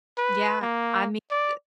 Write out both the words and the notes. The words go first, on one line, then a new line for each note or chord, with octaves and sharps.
Yeah, I mean uh
B4
A#3
D5